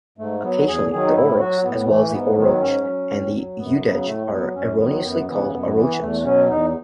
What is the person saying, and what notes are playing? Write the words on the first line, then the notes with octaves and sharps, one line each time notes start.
Occasionally, the Oroks, as well as the Orochs and Udege, are erroneously called Orochons.
G#2 A3
F#3 B3
E2 G#4
D#3 F#3 G#4
D#4
A2 E4
F#3 F#4
A2 B3
E3 A3
G#2 B3
D#3 F#3 B3
G#2 C#4
F#3
A2
F#3
F#2 B3
C#3 F#3 B3
A2 A3
F#3 B3
F#2 C#4
D#3 F#3 B3
F#2 B3
C#3 E3 B3
F#2 B3
E3 B3
E2 A3
B2 F#3 C#4
E2 D#4